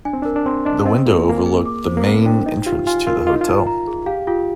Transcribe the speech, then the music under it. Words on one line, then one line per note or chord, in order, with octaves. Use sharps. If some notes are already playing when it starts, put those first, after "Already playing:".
The window overlooked the main entrance to the hotel.
D4 G#5
C4
D4 A#4
D4
C4 C6
D4 D#5
C4 D#5
A#3 F4
A#3 G#5
G#4
D6
C5
A#3
C4 C5
D4 G5
D#4 D#5
F4 G4
F4 G#5
F4 A#4
F4 D#5
D#4
F4
D#4
A#5
G#4
G4 F5
F4 G4